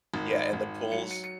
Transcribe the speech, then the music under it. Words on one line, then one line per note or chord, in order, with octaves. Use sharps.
yeah, and the pools
G#1
G#1
F#3 C#7
C#7
C#7